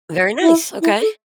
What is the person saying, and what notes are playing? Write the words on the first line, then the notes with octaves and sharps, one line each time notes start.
Very nice, okay.
E4
E4
A4